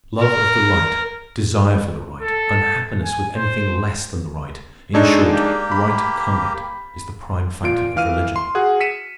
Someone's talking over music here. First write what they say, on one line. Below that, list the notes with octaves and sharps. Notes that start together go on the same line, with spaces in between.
Love of the right, desire for the right, unhappiness with anything less than the right--in short, right conduct, is the prime factor of religion.
A#4
A4
G#5
C5
G#3 D4 D#4 A4 C#5 C#6
A#3 G4
B5
A#2 F4 D7
E3 F5 F6 D#7
C6
F#4 G#4 F#5
B6 C#7 D#7 E7